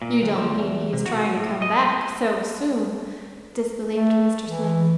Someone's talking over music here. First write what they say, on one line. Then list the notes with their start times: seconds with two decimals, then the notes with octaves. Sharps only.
"You don't mean he is trying to come back--so soon!" disbelieved Mr. Smith.
0.02 A#2
0.22 D2
0.35 F3
0.50 E2
0.93 C3
1.06 F#4
1.37 A2
1.62 D#5
3.92 A3
4.45 E3